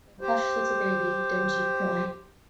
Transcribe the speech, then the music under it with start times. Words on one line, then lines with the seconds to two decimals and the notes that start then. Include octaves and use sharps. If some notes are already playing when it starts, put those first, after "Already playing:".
So hush little baby, don't you cry.
0.21 G4 C5